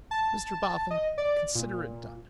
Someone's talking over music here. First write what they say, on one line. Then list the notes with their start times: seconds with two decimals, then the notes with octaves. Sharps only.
'Mr Boffin, consider it done.
0.11 A5
0.91 D#5
1.18 D5
1.55 A#2